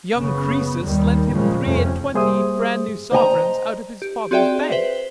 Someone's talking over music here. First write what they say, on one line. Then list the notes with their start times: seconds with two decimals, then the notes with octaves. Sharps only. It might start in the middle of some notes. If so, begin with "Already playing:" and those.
Young Croesus lent him three-and-twenty bran-new sovereigns out of his father's bank.
0.15 F#1 C#3 B3
0.82 D#2 D#3 G3
1.30 A#2 C#3 F3 G3 G#3 A#3
1.62 F2 C3 F3 A3 C#4
2.14 G3 A#3 G#4 C5 E5 D#6
3.12 C5 D#5 G#5 A#5
4.02 G4
4.31 C4 F#4 G#4 D5 E5 G5
4.72 B4 C5 E5